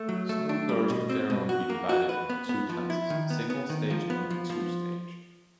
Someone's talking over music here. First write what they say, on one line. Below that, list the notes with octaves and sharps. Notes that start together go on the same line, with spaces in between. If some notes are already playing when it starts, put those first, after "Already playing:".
Snow blowers can generally be divided into two classes: single-stage and two-stage.
Already playing: A3
F#3
A3
D4
G3
B2
C4
B2
F#4
A#3
F#4
B4
B3
B3
F3
E4
D#3
B3
B3
D#3
F3
B3
F3
F3